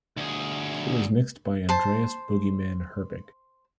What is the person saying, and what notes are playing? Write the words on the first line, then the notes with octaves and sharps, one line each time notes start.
It was mixed by Andreas "Boogieman" Herbig.
D2 G#4
C5 A5